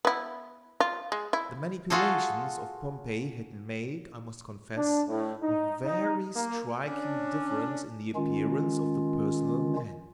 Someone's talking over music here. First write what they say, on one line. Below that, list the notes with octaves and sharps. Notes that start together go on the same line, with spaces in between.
The manipulations of Pompey had made, I must confess, a very striking difference in the appearance of the personal man.
B3 E4
F4
G#3
E4
F4 F#4 G#4 A4
D4
A2
D#4
D#4
A#3
C#4 D4
D#3 G#3 C#4 F4